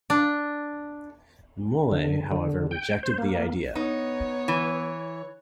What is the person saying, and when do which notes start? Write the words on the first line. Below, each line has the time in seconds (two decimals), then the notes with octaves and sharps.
Molay, however, rejected the idea.
0.10 D4
1.92 D3
2.31 D3
2.71 G5
3.03 C5
3.18 A#3
3.75 B3 D#4 C#5
4.48 E3